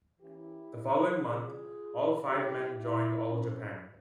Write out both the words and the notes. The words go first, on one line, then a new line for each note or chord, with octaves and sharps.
The following month, all five men joined All Japan.
E3 A#3 C#4 E4 G4
C#3 E3 G3 C#4 F4 G#4
A#2 G3 C#4 E4 G4
E4
A#2 F3 C4 C#4